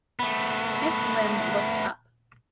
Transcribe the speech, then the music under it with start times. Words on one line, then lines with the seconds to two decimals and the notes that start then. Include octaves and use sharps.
Miss Limb looked up.
0.20 A3 B3